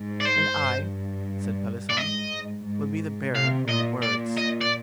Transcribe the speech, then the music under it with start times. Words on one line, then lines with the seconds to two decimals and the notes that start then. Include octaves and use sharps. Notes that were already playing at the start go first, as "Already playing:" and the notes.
"And I," said Pelisson, "will be the bearer of the words."
Already playing: G#2
0.20 D5
0.25 C5
0.59 G2
1.89 D5
1.97 G#2 D#5
2.66 G#2
3.34 C3 F5
3.69 A#2 D#5
4.03 A#2 D5
4.38 D#5
4.61 D5